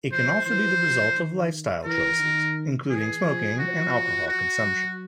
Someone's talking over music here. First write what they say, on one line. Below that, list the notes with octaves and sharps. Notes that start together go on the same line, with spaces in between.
It can also be the result of lifestyle choices including smoking and alcohol consumption.
F3 C5
E3 C5
F3
D#3
E3 A#4
D#3
E3 G#4
F3
F3 F#4
F#4
F#3